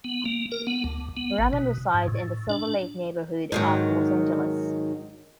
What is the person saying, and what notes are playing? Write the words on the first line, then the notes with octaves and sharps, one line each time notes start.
Raman resides in the Silver Lake neighborhood of Los Angeles.
B3
A#3
A#4
B3
D2
B3
A1
B2
G#2
A2
D4
G#2 D#3 F#3